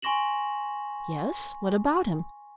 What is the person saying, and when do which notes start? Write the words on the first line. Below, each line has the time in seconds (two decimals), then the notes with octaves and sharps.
"Yes, what about him?"
0.02 G#5 C6 C#6 A#6 E7 F#7